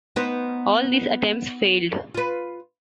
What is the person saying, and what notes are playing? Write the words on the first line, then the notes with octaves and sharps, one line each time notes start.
All these attempts failed.
B3 D#4 C5
F4 B4